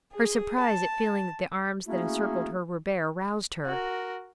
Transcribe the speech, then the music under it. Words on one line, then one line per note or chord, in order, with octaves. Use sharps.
Her surprise at feeling that the arms that encircled her were bare, roused her.
G#4
A5
A3 A#3 C#4 E4 F#4 G#4
F#4 A#4